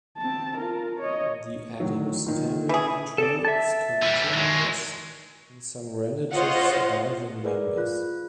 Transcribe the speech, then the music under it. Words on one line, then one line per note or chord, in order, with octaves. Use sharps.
The Adams family tree is continuous in some relative surviving members.
C4 A5
F4 A#4
C#5 D#5
A2 D#3 F#3
A#2 D#3
E3 G#4
A4 D5
E5 A5
E3 G3
F#3 G#3
F4 C5 C#5 D#5 F5 F#5
G#4 A#4 B4 D5
F4 F#6